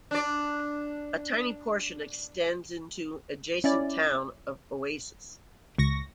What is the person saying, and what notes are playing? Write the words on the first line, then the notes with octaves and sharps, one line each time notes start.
A tiny portion extends into adjacent Town of Oasis.
D4 D5
C#4 E4 D5
C#2 C#6 A#6